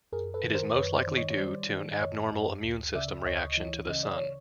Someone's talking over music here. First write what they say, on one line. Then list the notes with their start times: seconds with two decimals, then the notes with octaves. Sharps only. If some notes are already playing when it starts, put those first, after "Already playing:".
It is most likely due to an abnormal immune system reaction to the sun.
0.12 F#2 G#4 A#4
0.34 A4 B4
0.44 D#3
0.55 A#4 C5
0.75 F#2 B4 C#5
0.96 C5 D5
1.07 D#3
1.17 C#5 D#5
1.30 C#5
1.38 G3 C5 D5
1.69 D#3
2.00 F#2 C#5 D#5
2.32 F#2
2.64 D2
2.95 C#3 D5 E5
3.26 D2 C#5 D#5
3.57 E3
3.89 C#3 D#5
4.03 D5
4.16 C#3 C#5